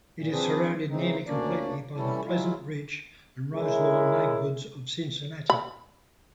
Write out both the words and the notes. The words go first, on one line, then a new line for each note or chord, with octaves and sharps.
It is surrounded nearly completely by the Pleasant Ridge and Roselawn neighborhoods of Cincinnati.
A#2
F3 C4 D4 G#4 B4 C5
C#3 E3 G#3 C4 D#4
D2 A#3 C#4 D4 D5
E3 G3 C#4 E4 A4
F#3 G#3 E4 F4
G#3 C#4 E4 A#4
B5